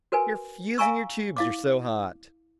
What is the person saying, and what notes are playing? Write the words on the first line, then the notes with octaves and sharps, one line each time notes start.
"You're fusing your tubes you're so hot."
F#4 A#4 B4 G#5
E5 F5 G#5 A#5 C#6 E6
E4 F5 D6